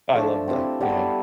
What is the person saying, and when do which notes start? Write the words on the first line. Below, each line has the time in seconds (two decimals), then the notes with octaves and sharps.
I love that, yeah.
0.13 F3 A3 D4
0.48 C4 E4 G4
0.81 G3 B3 E4 A4